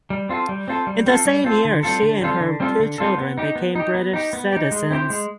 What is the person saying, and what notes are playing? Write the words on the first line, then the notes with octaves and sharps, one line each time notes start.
In the same year she and her two children became British citizens.
G3
C4 F4 A4
G3
C4 F4 A4
G3
C4 F4 A4
G3
C4 F4 A4
D3
G3 C4 F4 A4
D3
G3 C4 F4 A4
D3
G3 C4 F4 A4
D3
G3 C4 F4 A4
B3
D#4 G4
B3
D#4 G4
B3
D#4 G4
B3
D#4 G4
G#3
C4 E4 G4 C5
G#3